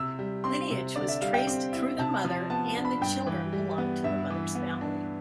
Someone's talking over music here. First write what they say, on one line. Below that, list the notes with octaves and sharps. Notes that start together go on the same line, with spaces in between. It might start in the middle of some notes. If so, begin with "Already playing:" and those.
Lineage was traced through the mother, and the children belonged to the mother's family.
Already playing: C3 E6
G3
C4 C6
C3
D3 D5
E5
G3 F5
G5
C4
E4
C3 A5
F3
B3 A5
D4
B5
G2 G5
E3
G3
B3
G2 E5
E3
B3
D4